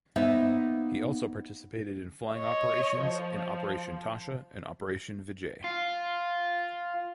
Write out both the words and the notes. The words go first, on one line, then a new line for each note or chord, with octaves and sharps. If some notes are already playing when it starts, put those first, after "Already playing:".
He also participated in flying operations in Operation Tasha and Operation Vijay.
A#3 B3 D#4 C5 D#5 E5
C#5 D#5
F3
F4